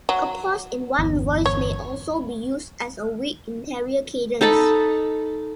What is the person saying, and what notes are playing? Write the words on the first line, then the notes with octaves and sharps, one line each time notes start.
A pause in one voice may also be used as a weak interior cadence.
F#3
G1 E2
C#5
D#4 A4 A5 B5